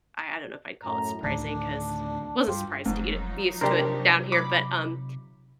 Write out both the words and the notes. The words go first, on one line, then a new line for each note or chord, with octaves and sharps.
I I don't know if I'd call it surprising, 'cause wasn't surprised to eat it used to it down here, but, um,
F#2 A2 A#5
D2 A2 D#3 D4
G2 F4 G4
F1 G#2 F3 F#3 D#4
C3 D4 G4 A#4 C5 D5
B5 D6